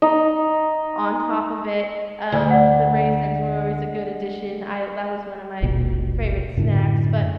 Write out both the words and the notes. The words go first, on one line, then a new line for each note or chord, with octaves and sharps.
on top of it, um, the raisins were always a good addition, l that was one of my favorite snacks, but,
D#4
D2
D5 F#5
D#1 G#1 D#2 B2
F#2 A2 D3